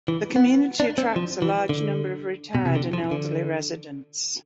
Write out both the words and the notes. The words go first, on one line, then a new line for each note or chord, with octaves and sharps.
The community attracts a large number of retired and elderly residents.
E3
B3
D4
C4
F3
E3
D3
B2
C3
D3
F3
D3